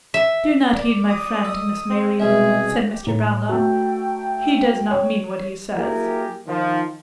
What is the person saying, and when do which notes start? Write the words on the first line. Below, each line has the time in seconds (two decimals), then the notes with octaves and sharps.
'Do not heed my friend, Miss Maylie,' said Mr. Brownlow; 'he does not mean what he says.'
0.14 E5
0.75 D5
1.09 D#6
1.45 A4 D#5
1.90 C4
2.20 C2 B2 G#3 G#4 E5
2.88 G4
3.07 A2 A#5
3.49 F#3 A3 G5
4.91 C#5
5.76 F#3 A#3 E4 G4 G#4 A#4
6.48 D#3 F3